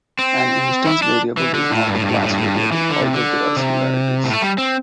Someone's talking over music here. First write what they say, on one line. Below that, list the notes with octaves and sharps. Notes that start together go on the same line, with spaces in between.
An instance variable is not a class variable although there are similarities.
C4
E4
D4
E3
D3
A2
G2
A2
G2
A2
G2
A2
G2
A2
G2
A2
E3
D3
C3
D3
C3
A2
A3
G3
C4